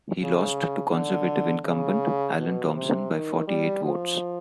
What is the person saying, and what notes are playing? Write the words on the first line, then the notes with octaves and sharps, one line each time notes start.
He lost to Conservative incumbent Allen Thompson by forty-eight votes.
C#3
D3
C#3
B2
C3
D#3
G3
F3